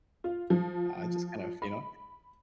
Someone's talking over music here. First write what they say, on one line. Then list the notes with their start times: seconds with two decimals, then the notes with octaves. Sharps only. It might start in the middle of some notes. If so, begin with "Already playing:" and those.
I just kind of, you know
0.24 F4
0.50 F3
1.62 B5